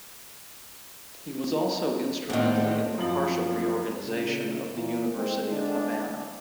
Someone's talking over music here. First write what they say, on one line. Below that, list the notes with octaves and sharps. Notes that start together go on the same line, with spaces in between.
He was also instrumental in the partial reorganization of the University of Havana.
A2 D3 D#3 C4
F#2 F3 C4 F#7
A#2 C#3
A#2 E3
G#3 C4
D3 D4